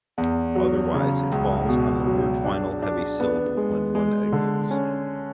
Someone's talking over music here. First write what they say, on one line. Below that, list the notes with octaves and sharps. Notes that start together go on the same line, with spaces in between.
Otherwise, it falls on the word-final heavy syllable when one exists.
E2
F#3
C#3
C#2
B2
F#3
D4
D4
B3
G#3
G#3
D3
C#4